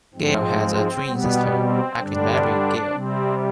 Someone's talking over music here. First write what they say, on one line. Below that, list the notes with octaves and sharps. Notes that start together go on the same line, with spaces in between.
Gail has a twin sister, actress Mary Gail.
G#2 F3 G#3 C4
B2 G3 B3
C4
G2 D3 G3 D4
C3 G3 C4